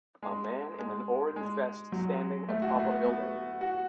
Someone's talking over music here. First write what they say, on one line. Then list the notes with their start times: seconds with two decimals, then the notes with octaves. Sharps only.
A man in an orange vest standing atop a building.
0.22 G#3
0.79 G#3
1.36 G#3
1.92 F#3
2.49 A3
2.62 F#4
2.76 A3
2.91 B3
3.04 B3
3.61 F#4